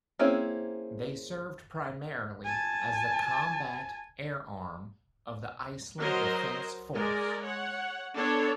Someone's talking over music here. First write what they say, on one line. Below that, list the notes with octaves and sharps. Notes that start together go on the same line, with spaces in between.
They served primarily as the combat air arm of the Iceland Defense Force.
A#3 C4 C#4 E4 G#4
G#5 A5
F#3 A#4 C5 D#5
G#3 A#4 D5
C#5 F#5
B3 D4 A4 C#5